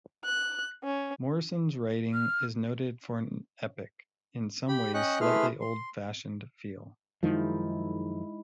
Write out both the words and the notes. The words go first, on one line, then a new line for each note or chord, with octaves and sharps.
Morrison's writing is noted for an epic, in some ways slightly old-fashioned feel.
F#6
C#4
F6
G4 B5
C#4 D#5 G5 C#6 F#6
A3 E4 G#4 B4 C6 F6
C6
F#2 D#3 F3 G#3 D#4 E4